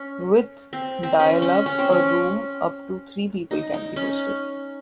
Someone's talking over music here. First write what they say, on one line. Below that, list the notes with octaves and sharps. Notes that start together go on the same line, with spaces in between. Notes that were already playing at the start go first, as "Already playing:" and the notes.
With dial-up, a room up to three people can be hosted.
Already playing: C#4
C4
C4
C#4
C#4
C#4
C4
C#4
D#4
D#4
C#4